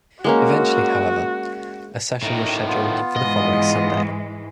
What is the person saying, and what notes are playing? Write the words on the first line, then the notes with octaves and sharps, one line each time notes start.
Eventually, however, a session was scheduled for the following Sunday.
G#3 A#3 C#4 F#4
A2 D#3 A#5
B3 F4
G#2 E3 G#3 D#5